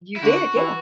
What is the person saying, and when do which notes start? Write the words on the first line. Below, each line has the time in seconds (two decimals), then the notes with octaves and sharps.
You did. Yeah.
0.16 E4
0.22 D3 F#4
0.56 E3